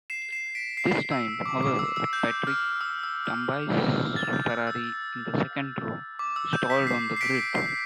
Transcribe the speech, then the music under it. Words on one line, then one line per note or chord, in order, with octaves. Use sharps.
This time, however, Patrick Tambay's Ferrari, in the second row, stalled on the grid!
C7 E7
C7 E7
B6 D7
C7
E6
D6
D6
E6
E6
G6
F6
E6
E6
F6
A6
G6
E6
E6
E6
D6
E6
G6
B6
C7
C7
B6 D7
C7